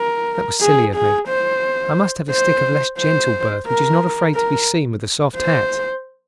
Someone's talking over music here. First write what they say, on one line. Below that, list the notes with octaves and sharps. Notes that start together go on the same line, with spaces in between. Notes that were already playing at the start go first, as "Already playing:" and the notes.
That was silly of me. I must have a stick of less gentle birth which is not afraid to be seen with a soft hat.
Already playing: A#4
G#4
G#4
C5
C5
C5
A#4
A#4
C5